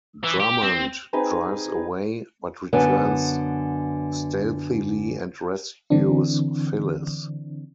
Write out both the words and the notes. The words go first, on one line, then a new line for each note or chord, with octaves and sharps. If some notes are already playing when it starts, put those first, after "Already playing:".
Drummond drives away, but returns stealthily and rescues Phyllis.
E3
G4
C4
C4 D#4 G#4 B4
F#2 D3 B3
D3 E3 C4 D4